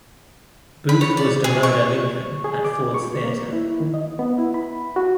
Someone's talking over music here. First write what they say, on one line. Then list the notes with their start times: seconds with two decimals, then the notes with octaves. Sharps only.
Booth was to murder Lincoln at Ford's Theatre.
0.89 B5
1.01 C#5
1.17 D5
1.44 G#4
1.63 C#6
2.44 G#4
2.65 D6
2.94 C#6
3.24 A#3
3.53 E4
3.80 D#3
3.94 D#5
4.19 B3
4.38 E4
4.54 B5
4.96 F#4